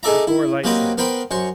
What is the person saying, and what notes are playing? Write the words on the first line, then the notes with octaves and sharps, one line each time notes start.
It bore lights now.
D#4 G#4 A4 D5 E5 A#5
E4
F#3 A#3 C4 G4 B4 D#5
B3 A#4 C5 G5 B5
F#2 C5 C#6